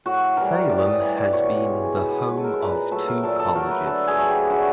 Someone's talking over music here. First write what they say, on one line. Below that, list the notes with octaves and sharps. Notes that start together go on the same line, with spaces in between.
Salem has been the home of two colleges.
A2 F#4
E3 G3 A#4
A2 D5
D#5
E3 G3
D5
B2 C#5
G#3
B2 B4
B4
G#3 B4
A4
A#4
A#2 B4
B4
F#3 A3 A4
A#4
A#2 A4
A4
F#3 A3 A#4
B4
D3 A4
G#4
F#3 A3
G4
D3 F#4